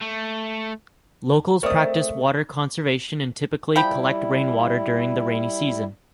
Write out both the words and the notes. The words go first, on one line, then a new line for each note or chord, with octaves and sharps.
Locals practice water conservation and typically collect rainwater during the rainy season.
A3
A3 C4 A#4 D5 D#5 D#6
F3 G3 E4 G5 B5